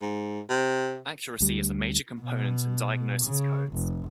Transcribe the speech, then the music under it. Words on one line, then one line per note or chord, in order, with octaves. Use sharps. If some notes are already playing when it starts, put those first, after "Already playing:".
Accuracy is a major component in diagnoses codes.
G#2
C3
D2 G3
B2
C#3
F1